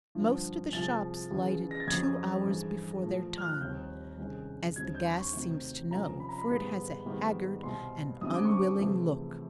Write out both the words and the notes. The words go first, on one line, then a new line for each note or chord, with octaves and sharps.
Most of the shops lighted two hours before their time--as the gas seems to know, for it has a haggard and unwilling look.
G2 D3 F3
C2 C3 F3 G#3 A6
E2 C#3 E3
A#6
A6
F2 C#3 F#3 G#6
G2 E3 G#3
A#2 F3 A3
F6
F#6
D#2 D#3 G3 C4 G6
C2 C3 D#3 G#3 C#4
D#2 D3 G3 C4 G#6
G6
C6
C#6
C3 D#3 F#3 A3 C4
C3 F3 A#3 C#4 A#5
B5
A#5
B5
G#2 D#3 G3 B3
G#2 D#3 G3 B3
C2 B2 G3 C6
F#2 D3 G3 C4 D#6
D6
C#6
D6
E2 C3 F3 A3